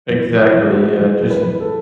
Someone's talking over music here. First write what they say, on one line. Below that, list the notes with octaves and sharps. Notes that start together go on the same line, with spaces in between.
Exactly, yeah, just
E3 B4
E3
E4
E3
F#4
A2
E3 G#4
E3
B4
E3
A4